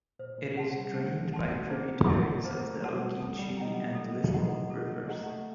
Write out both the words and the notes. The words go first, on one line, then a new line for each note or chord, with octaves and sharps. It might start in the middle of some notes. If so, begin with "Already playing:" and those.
It is drained by tributaries of the Ogeechee and Little rivers.
A#2 C5
A#2
C3 F#5 A5 C6
G3
A3 C5
F#5 A5 C6
A#3 C5
F#5 A5 C6
A#3 C5
A3
G3 F#5 A5 C6
G3 A4
G3
F#3 D#5 F#5 A#5
A3
A4
D#5 F#5 A#5
A#3 A4
A3
A3 D#5 F#5 A#5
A3